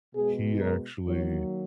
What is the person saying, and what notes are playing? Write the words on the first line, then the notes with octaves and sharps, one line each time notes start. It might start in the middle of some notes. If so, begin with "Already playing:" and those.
he actually
B2 G#3 G#4
A#4
D#3 F#3 A#3 C#5